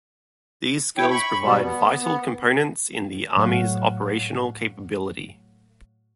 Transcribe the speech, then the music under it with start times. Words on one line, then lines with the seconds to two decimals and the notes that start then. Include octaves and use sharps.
These skills provide vital components in the Army's operational capability.
0.98 E4 C#5 G5
1.10 B5 C#6
1.43 B2 G3
1.63 B3
2.01 B3
3.37 A2 F#3 A3 C#5 F5 F#5